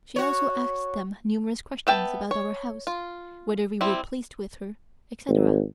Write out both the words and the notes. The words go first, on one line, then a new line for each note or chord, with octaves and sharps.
She also asked them numerous questions about our house, whether we were pleased with her, etc.
F#4 C#5
B3 E5 G5 A5
C#5
F4
G3 C4 E4
G#1